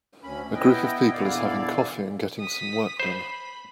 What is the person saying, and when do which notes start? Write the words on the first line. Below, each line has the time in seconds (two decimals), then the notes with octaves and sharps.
A group of people is having coffee and getting some work done.
0.24 D2 C#4 B5
0.53 B3 E4 B4 D#5 G5
1.13 E2 A#2 D3 E4 D5 F5
2.40 D#6 B6
3.00 C5 B5